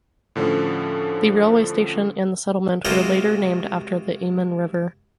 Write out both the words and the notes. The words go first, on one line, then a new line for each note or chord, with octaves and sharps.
The railway station and settlement were later named after the Iman River.
A2 D3 F3 C#4 A4
C3 G#3 F4 F#4 A#4 C5